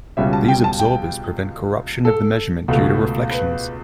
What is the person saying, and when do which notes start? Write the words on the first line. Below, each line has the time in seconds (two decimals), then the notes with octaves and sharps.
These absorbers prevent corruption of the measurement due to reflections.
0.17 C#2 B2 G3 C#4 E5
0.33 A5
0.48 G5
0.64 A5
0.80 G5
2.05 A4
2.68 C#2 B2 A3
3.31 B4